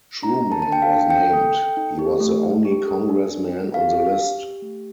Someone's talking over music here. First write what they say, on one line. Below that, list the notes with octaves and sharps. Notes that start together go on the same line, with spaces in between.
Truman was named; he was the only congressman on the list.
D4 A#5
D4
A5
A5
D4 G5
F5
D4
A4 G5
A4
A4
D#4
G4
A3
D#4
G4
A4
D4
A4
A4
G4 F5
G4
G4
G4
A3